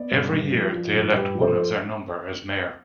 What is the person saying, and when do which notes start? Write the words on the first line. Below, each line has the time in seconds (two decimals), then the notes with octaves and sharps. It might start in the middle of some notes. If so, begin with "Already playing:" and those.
Every year, they elect one of their number as mayor.
Already playing: B3 D5
0.11 G2
0.32 G2
0.52 F3
0.72 F3
0.93 G2
1.13 G2 G4 B4
1.35 F3
1.41 A4 C5